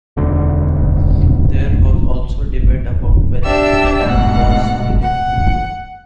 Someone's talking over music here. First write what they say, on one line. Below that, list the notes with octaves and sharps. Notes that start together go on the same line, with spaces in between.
There was also debate about whether the dam was needed.
E1 D2 D3
D4 G4 D5 E5 E6
D2 G#2 B2 F#5
F#5